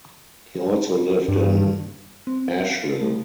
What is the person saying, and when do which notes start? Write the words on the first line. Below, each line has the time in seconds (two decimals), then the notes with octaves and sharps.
He also lived in Asheville.
1.28 G2
2.27 C4
2.65 F5
2.83 A4
3.01 A3